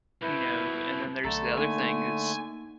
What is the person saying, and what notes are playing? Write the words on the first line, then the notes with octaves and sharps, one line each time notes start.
you know, and then there's the other thing is
C2 B2 E4 B4 G6
B1 D3 A3 A4 A#5
A#3 D#4 G#5